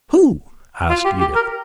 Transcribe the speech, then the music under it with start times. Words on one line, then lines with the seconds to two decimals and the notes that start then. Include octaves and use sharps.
"Who?" asked Edith.
0.90 F4
1.05 G4
1.20 G4
1.35 A#4